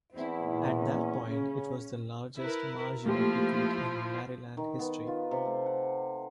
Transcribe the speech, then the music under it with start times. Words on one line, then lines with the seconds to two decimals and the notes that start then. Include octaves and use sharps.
At that point, it was the largest margin of defeat in Maryland history.
0.16 E2 C4 E4
0.48 A#2 E4
0.81 C#4
1.27 C#3
2.38 E4 A#4 B4
3.06 F3 A3 A#3 E4 F4 G4
4.57 D#3
4.79 B3
5.07 F4
5.31 C3
5.45 A3
5.66 F#5